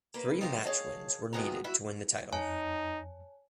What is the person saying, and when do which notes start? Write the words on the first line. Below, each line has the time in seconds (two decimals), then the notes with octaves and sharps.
Three match wins were needed to win the title.
0.14 A#3 B4
0.41 D#4 F4 G4 A#4 C5
0.63 G#4 C#5 D#5 F5 A5
1.33 D#2 F3 B3 F#4 G#4 A#5
1.64 E4 F#4 E5
2.33 F2 D#4 C#5 G#5 A5